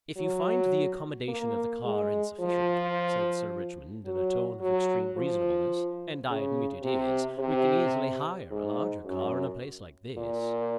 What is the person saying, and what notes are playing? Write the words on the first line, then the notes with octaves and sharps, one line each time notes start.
"If you find the accommodation of the car insufficient," said Sir Richmond in a tone of extreme reasonableness, and I admit it is, we can easily hire a larger car in a place like this.
F#3
A#3
G#3
F3
F#3
F#3
F3
C#3
C3
C3
G#2
F#2
A#2